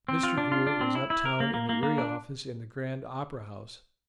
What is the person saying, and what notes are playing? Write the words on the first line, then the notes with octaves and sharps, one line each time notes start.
Mr. Gould was up-town in the Erie offices in the Grand Opera House.
C4
F4
D4
F4
D4
C4
E4
E4
A#4
A#3
A#3
A#3
A#3
D4